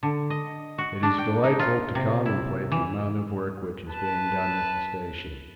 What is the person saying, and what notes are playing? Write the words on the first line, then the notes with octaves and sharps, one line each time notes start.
It is delightful to contemplate the amount of work which is being done at the station.
D3
D#5
F#4
D4
G5
D#4
F4
C3
E4
E3
B4 A5